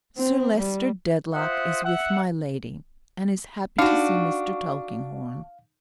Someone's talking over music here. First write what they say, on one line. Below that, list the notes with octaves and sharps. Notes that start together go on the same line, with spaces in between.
Sir Leicester Dedlock is with my Lady and is happy to see Mr. Tulkinghorn.
C4
G3
F4 C5 E5 F#5 D#6
E5 F#5
D4 D#4 F#4 F5